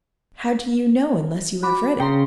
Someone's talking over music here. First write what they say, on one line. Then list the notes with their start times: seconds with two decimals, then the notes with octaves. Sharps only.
"How do you know, unless you have read it?"
1.62 F#4 B5 D6
2.00 C#3 G5 A#5 C6